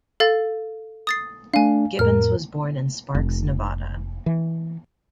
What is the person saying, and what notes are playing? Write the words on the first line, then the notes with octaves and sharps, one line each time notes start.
Gibbons was born in Sparks, Nevada.
A4 F5 A6
D#6 A6 C7
A3 D4 F5 G#5
F2 A2 A#4 F6
F1
E3